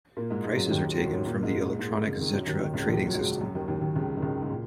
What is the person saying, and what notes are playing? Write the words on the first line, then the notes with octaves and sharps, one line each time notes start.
Prices are taken from the electronic Xetra trading system.
A#2 A#3
G#2 G#3
G#2 G#3
F#2 F#3
D#2 D#3
F#3
D#3
F#2 F#3
A#2 A#3
G#2 G#3
A#2 A#3
G#2 G#3
C#3
D#3
F#2 F#3
D#2 D#3
D#2 D#3
C#2 C#3
A#1 A#2
F#3
G#2 G#3
F#2 F#3
D#2 D#3
D#2 D#3
D#2 D#3
C#2 C#3
D#3
C#2 C#3
G#2
A#2